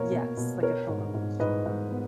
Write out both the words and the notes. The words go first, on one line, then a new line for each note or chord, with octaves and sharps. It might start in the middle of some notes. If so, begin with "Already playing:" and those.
Yes, like a pilgrimage.
Already playing: B2 A#3 A#4 C#5
B2
B2
B3 A#4 C#5
G#2
G#2
G#2 B4 D#5
G#2
B3